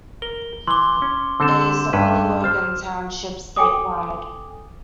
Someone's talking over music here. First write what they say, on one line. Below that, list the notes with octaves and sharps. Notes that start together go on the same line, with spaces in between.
It is the only Logan Township statewide.
A#4 G7
E3 C6 D6 G7
C#4
D3 C4 A4 E6 G6 E7
G2 C#4 B4
C5 A5 F6
A4 G5 G#5 D6 D#6